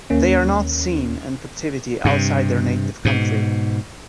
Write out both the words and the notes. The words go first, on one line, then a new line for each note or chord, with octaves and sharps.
They are not seen in captivity outside their native country.
D#2 A#3 C#4
G2 C3
G#2 B2